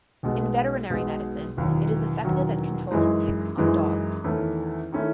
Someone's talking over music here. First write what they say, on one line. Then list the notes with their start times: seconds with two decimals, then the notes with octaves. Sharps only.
In veterinary medicine, it is effective at controlling ticks on dogs.
0.23 B1 B2 G#3
0.90 B1 B2 G#3
1.57 E1 D#2 D#3 F#3
2.24 E1 D#2 D#3 F#3
2.91 F#2 E3 G#3 D#4
3.57 F#2 E3 G#3 D#4
4.24 E2 D#3 A3 C#4 E4
4.92 D#3 A3 C#4 E4